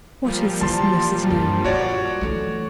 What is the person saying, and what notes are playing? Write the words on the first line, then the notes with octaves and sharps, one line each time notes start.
"What is this nurse's name?"
A#2 F3 G3
E3 A5 C6
G2
F4 F#4 C#5 D5
E3 A3